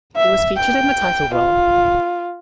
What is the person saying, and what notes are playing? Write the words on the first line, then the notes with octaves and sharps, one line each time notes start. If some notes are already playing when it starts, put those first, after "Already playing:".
He was featured in the title role.
E5
G5
F4